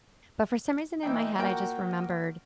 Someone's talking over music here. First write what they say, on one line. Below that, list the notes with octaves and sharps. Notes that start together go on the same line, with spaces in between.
but for some reason in my head, I just remembered,
A#2 E3 D#4 G5
A#2 F#4 A#4 G5